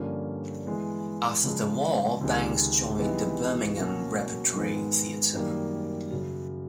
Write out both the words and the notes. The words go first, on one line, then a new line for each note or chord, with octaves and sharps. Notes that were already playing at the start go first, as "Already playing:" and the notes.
After the war, Banks joined the Birmingham Repertory Theatre.
Already playing: G2 D3 F3 A#3 C#4
E3 G#3 B3
C#3 F3 G#3
C#2 C3 D#3 G#3
C3 E3 G#3 B3 D#4
B2 F#3 A#3 C#4 F#4
G#2 D#3 G#3 B3
F#2 D#3 G3 A#3
F#2 C#3 F#3